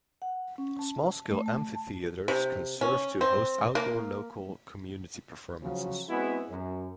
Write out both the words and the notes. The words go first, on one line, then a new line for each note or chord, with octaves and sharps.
Small-scale amphitheatres can serve to host outdoor local community performances.
F#5
C#4
A5
A3
A5
C3
C#4
C4
A#3
C#3 F3 F#3
G#3 B3 C4 E4 F#4 G#4
F#2